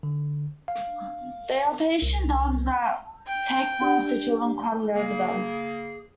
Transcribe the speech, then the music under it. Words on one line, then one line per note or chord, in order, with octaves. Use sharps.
They are patient dogs that take well to children climbing over them.
D3
F5
C2
G5
D4 G4
C#3 A#3 G#4